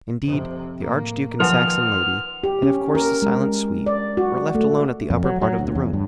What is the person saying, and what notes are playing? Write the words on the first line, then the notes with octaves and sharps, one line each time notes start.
Indeed, the archduke and Saxon lady, and of course the silent suite, were left alone at the upper part of the room.
F2 C3
A2 A#3
D#3 F3 B4 F#5 C6 F6
G4
C#4
A#4
G#3
D5
F#4
A3
F2
F#3
F#3
D2
E2
G2